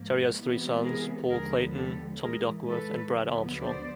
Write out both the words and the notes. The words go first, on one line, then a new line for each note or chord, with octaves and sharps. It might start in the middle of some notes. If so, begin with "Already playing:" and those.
Terry has three sons: Paul Clayton, Tommy Duckworth, and Brad Armstrong.
Already playing: G#2 F3 A#3
C3 E3 G#3 B3
G#4 A#4
D#2 D3 F3 G#3 B3 G#4 A#4
G4 A4
A2 E3 G#3 G#4 A#4
A4 B4
D2 D3 F#3 B3
C5 D5